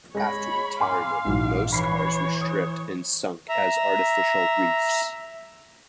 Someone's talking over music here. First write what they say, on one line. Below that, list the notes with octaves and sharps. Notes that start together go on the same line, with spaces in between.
After retirement, most cars were stripped and sunk as artificial reefs.
G#3 C#5 B5 A#6
F5 G#5 C6 D6
A#1 G#2 E3 F#3
E3 C#5 B5 C7
D#6
E5 A#5